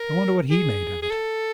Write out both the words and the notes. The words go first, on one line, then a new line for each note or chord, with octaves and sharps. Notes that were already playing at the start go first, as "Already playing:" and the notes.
I wonder what he made of it?
Already playing: A#4
G#4
G#4
A4